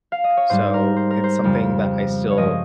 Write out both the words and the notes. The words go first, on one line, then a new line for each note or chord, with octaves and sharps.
So, it's something that I still
F5
D#5
C#5
G#2 G3 C5
A#4
C5
A#4
C5
F2 C#3 G3
C#5
G2 F3 G#3 D#5